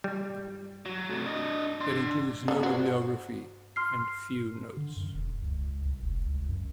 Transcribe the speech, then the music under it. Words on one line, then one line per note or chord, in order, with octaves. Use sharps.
It includes no bibliography, and few notes.
G3
F#3
C3 A3
D4 D#5
D4 C6
D3 B3
F#4 C5
C6 F6 C7
D3
F#2
E1
C#2
C2
F1
C#2
F#2